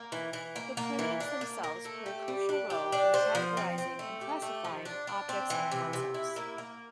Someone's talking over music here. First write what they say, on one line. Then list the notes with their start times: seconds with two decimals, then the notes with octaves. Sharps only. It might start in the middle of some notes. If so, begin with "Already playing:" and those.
The primitives themselves play a crucial role in categorizing and classifying objects and concepts.
Already playing: A#3
0.12 E3
0.33 E3
0.56 A#3
0.77 A#3
0.99 E3
1.20 D4
1.41 A#3
1.64 A#3
1.85 A3
2.06 G4
2.28 G3
2.49 D4
2.70 G4
2.92 D4
3.14 C5
3.35 F3
3.57 C4
3.78 C4
3.99 A3
4.21 G4
4.42 A3
4.64 F3
4.85 D4
5.07 D4
5.29 C4
5.50 E3
5.71 C3
5.93 C3
6.14 E4
6.36 A#3
6.58 A#3